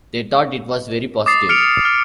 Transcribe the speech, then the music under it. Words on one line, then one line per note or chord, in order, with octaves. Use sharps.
They thought it was very positive.
D6 D#6 A6 C7
F6 C#7 D7 F7
F6